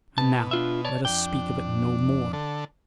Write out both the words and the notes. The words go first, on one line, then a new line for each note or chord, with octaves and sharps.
And now let us speak of it no more.
B2 A5
D4 F4 E5
C#5 D5 A5
F2 D4 G5
D3 A4